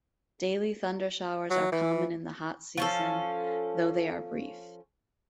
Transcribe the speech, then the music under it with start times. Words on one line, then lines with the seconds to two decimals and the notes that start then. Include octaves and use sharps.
Daily thundershowers are common in the hot season, though they are brief.
1.50 F#3
1.72 E3
2.77 F3 C#4 A4